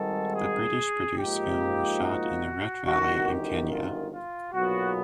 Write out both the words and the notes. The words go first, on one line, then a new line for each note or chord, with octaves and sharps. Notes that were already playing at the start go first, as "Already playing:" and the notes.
The British-produced film was shot in the Rift Valley in Kenya.
Already playing: G#1 G#2 D#3 G3 A4
G#4
G#2 F3 A#3 D#4 G4
F#4
G1 F#2 D#3 F#4
G4
F4
F4
B1 A#2 F#3 B3 F#4